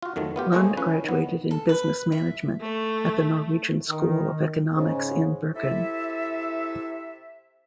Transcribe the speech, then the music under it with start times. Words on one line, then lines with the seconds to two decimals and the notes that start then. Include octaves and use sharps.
Lund graduated in business management at the Norwegian School of Economics in Bergen.
0.02 F4 F#4
0.16 F2 D#3 F#3 A3
0.36 B3 F4 G4
0.52 A3 A#3 G#4 C5 C#5 D#5
0.77 F3 C#4 B4
1.04 D#3 B3
1.51 A4
1.69 B4
2.12 E5
2.61 A3
3.89 D#3
4.76 G#2 C#3
5.55 C3 E4 A4 E5